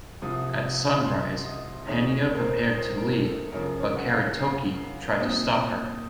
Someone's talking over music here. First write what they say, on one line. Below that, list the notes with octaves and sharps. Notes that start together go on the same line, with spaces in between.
At sunrise, Pania prepared to leave but Karitoki tried to stop her.
C2 C3 F3 D#6
C6
D#5
D#2 D#3 A3 C4 D#4 C#5
A#4
C5
A#4
C5
A#4
A4
F#2 C#3 F3 A#4
C#5
F#5
F5
A#2 F#3 C4 D#4